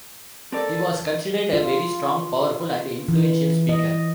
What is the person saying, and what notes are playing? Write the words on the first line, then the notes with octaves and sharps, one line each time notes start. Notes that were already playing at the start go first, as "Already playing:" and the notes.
He was considered a very strong, powerful and influential Speaker.
C4 A4 A#4 D5 A5
F4
E3
D#5